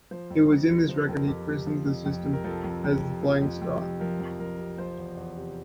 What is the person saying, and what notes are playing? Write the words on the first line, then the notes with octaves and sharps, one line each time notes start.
It was in this record he christened the system as the "Flying Star".
F3 C5
F2
F2
C3
F3 C5
A#4
A4
F2 A#4
F2 G4
C3
F3
F2
F2
C3
A#4
F3 A4
F2
F2
C3
F3
F2
F2
C3
F3 A#4
F2
F2 A#4
C3
F3 C5
E2
E2
C3